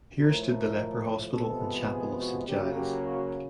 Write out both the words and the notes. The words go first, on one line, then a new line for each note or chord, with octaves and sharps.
Here stood the leper hospital and chapel of Saint Giles.
A2 F3 A3 A#4
A#4
C3 F3 G#3 B3 A4
G#4
F#4
C#3 F#3 A#3 G4
G4
F#4